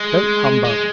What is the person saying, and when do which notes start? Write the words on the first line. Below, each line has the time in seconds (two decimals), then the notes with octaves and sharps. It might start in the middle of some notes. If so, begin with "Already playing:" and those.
'Don't humbug!
Already playing: G#3
0.64 G#3